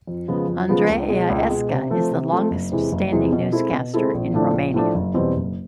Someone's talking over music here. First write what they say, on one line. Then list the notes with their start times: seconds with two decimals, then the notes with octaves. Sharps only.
Andreea Esca is the longest-standing newscaster in Romania.
0.07 F2
0.28 C#3 F3 G#3 B3
0.48 F2
0.69 C#3 F3 G#3 B3
0.89 C#2
1.09 B2 G#3
1.30 C#2
1.50 B2 G#3
1.70 C3
1.90 F3 A3 C4
2.11 C3
2.31 F3 A3 C4
2.51 F#1
2.71 E2 C3 E3 G#3
2.92 F#1
3.12 E2 C3 E3 G#3
3.33 B2
3.52 G#3 C4 E4 A4
3.73 B2
3.94 G#3 C4 E4 A4
4.14 A#1
4.34 A2 F3 A3 D4
4.54 A#1
4.74 A2 F3 A3 D4
4.95 F#1
5.14 E2 B2 G3 C4
5.36 F#1